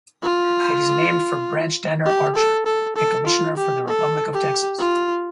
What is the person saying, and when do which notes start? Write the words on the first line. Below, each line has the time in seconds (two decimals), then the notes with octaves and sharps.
It is named for Branch Tanner Archer, a commissioner for the Republic of Texas.
0.22 F4
2.05 G4
2.35 A4
2.66 A4
2.96 A4
3.27 F4
3.57 G4
3.87 A4
4.33 G4
4.79 F4